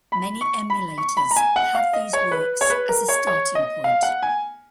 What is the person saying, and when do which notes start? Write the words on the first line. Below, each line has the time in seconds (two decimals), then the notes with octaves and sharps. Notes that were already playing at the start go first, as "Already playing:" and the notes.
Many emulators had these works as a starting point.
0.12 B5
0.41 C#6
0.70 B5
0.98 C#6
1.17 B5
1.31 A#5
1.36 G#5
1.56 F#5
1.75 F5
1.93 D#5
2.13 C#5
2.31 B4
2.61 C#5
2.70 B4
2.89 A#4
3.08 C#5
3.27 C#5
3.55 D#5
3.84 F5
4.03 F#5
4.22 G#5